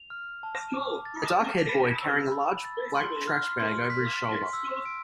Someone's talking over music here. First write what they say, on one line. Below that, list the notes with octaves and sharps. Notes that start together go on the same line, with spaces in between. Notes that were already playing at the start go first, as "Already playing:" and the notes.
A darkhaired boy carrying a large black trash bag over his shoulder.
Already playing: F7
F6
A5
D6
A6
G6
B5
E6
B5
A6
C6
F6
C6
B6
C6
E6
D7